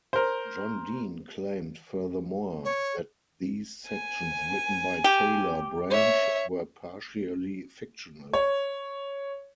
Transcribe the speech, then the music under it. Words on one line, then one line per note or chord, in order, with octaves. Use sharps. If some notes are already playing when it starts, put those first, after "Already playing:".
John Dean claimed furthermore that these sections written by Taylor Branch were partially fictional.
A#4 C5
C#5
G#5
G4
C#5 E5
C#5